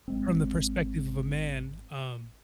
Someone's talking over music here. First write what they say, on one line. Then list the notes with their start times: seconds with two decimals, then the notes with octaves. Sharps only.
from the perspective of a man, um
0.08 G#1 G#3 C4